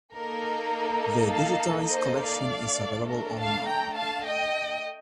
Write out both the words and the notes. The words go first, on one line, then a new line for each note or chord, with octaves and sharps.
The digitized collection is available online.
A#3 D#4 A4 A#4
F5 A5
C5 D#5
D5 F5
A3 D4 A4
A#4
F5 A5
G5 A#5
F5 A5
D#5 G5